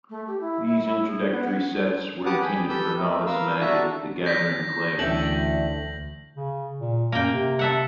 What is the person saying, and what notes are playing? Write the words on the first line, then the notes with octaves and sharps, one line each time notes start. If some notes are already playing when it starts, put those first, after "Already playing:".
These introductory sets were intended for novice Magic: The Gathering players.
A3
G4
E4
E4
E4
G#4
B3
F#5
G4 B4 F#5 A5 D6 D#6
G#4 G5 B5
G4 A4 B4 E6 G6
A3 A#4
A#4 B4 F5 E6
D4 F#4 A4 E5 A5 A#5
G6 A#6 B6
D2 D3 E3 C#4 A4 E5 G5 F#7
C#3
A#2
F#2 A#3 G5
C3
A4 E5 F#5